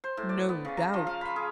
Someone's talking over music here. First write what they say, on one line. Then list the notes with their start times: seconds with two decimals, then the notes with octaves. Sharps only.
"No doubt."
0.04 C5
0.17 A2
0.29 D5
0.49 B3
0.65 C#3
0.77 A#5
0.94 F3
1.07 F5
1.21 B5
1.36 G#4